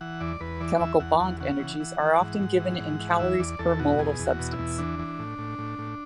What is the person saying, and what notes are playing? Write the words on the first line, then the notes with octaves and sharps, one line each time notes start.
Chemical bond energies are often given in calories per mole of substance.
E3 F#5
E2 D5
E2 B4
E3 D5
E2 E5
E2 F#5
E2 F#5
C#3 F#5
E3
E3
E3
G#2
G#2
E3
G#2
E3
E2 E5
E2 D5
E2 A4
B2 F#4
E2 G#4
E2
F#4
B2
E4
E2
E3 D4
E3
A2
A2
A2
A2